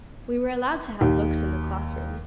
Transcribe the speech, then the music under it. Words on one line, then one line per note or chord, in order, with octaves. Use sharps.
We were allowed to have books in the cloth-room.
D#2